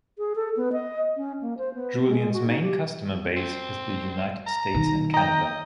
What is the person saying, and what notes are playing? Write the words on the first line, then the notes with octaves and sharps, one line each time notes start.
Julien's main customer base is in the United States and Canada.
G#4
A4
B3
D#5
C#4
A#3
C5
B3
G#3
F#4
D#4
G4
C4
A#5
D#3
D#5 G5 A#5